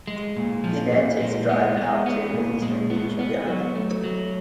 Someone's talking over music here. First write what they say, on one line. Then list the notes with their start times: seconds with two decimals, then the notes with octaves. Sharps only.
He then takes a drive out to the eastern beach of the island.
0.07 G#3
0.37 A#2
0.64 F3
0.92 A#2
1.20 G#3
1.49 B3
1.77 G#3
2.06 B3
2.34 A#2
2.62 G#3
2.90 B3
3.19 B3
3.47 F#3
3.75 A3
4.04 F#3